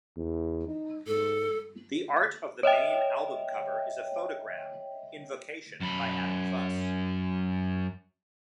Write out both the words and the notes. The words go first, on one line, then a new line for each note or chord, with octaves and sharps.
The art of the main album cover is a photogram, "Invocation", by Adam Fuss.
E2
D#4
G#2 A4
C#5 D#5 E5 G5
F#2 B5